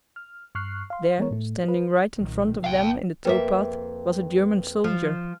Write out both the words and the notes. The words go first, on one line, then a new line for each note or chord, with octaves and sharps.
There, standing right in front of them in the tow-path, was a German soldier!
F6
G2 C#6 F6 F#6 C7
F5 C6
E3 G#3 B3 A#4 C#5
A2 A3
F4 B4
B1 A#2 D#3
C2 A#3 F5 G5
F2 A#3 B4 E5 G5
F3 F6